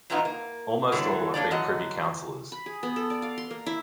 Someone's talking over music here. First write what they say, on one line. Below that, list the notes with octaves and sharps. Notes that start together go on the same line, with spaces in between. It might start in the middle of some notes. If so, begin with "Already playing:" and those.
Almost all have been Privy Councillors.
F2 A#2 E3 B3 D#4 F4
A#3
D3 E3 F#3 G3
A#3 D4 C#5 D5
F#2 F#4 D#5
B5
G#4
B3
A4
D5
F5
C6
A#3
E4